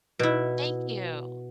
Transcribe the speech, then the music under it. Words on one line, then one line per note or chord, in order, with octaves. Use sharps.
Thank you.
B2 E4